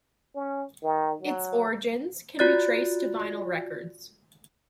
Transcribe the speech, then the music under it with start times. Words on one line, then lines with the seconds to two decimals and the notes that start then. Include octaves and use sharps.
Its origins can be traced to vinyl records.
0.35 C#4
0.83 D#3
1.22 F#3
2.39 F4 F#4 D5 F#6 A6